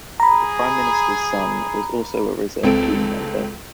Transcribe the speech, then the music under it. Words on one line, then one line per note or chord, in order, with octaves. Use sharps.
The Prime Minister's son was also a reserve team member.
G#4 A#5 B5
C#2 C4 A4 D7